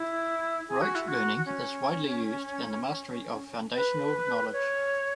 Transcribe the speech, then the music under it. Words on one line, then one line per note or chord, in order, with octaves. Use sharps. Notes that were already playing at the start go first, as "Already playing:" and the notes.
Rote learning is widely used in the mastery of foundational knowledge.
Already playing: E4
G#4
F#4
E4
F#4
C#4
B4
C#5